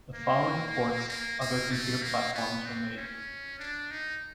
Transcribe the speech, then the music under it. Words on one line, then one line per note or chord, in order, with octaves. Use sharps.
The following ports to other computer platforms were made.
A#3
A#3
A#3
A3
A#3
B3
C4
C#4
D4
D#4